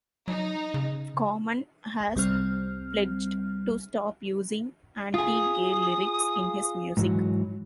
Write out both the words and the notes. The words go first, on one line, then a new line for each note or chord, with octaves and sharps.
Common has pledged to stop using anti-gay lyrics in his music.
F#3 D#4
C#3
C2 G3 C4 F6
F4 G#4 D#6
G#2 E3 F#3